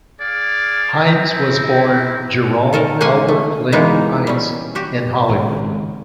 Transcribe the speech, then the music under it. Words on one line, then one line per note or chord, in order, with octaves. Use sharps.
Hines was born Jerome Albert Link Heinz in Hollywood.
G#4 D5 F5
C4 D#4 E4
D#3 A4 A#4
G#3 A#3 C#4 D#5 F#5 G#5
A3
E3 G#3 A#3 B3 D#4
G3 C#4
F#4 G4
G#1 C#3